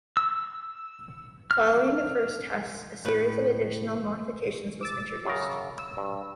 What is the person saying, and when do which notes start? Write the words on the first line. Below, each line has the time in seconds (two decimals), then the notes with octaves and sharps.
Following the first tests, a series of additional modifications was introduced.
0.17 E6
1.51 F6
3.05 A2 B4
4.81 D6 E6 A6
5.25 F#2 C#3 A#4
5.78 E6
5.97 G2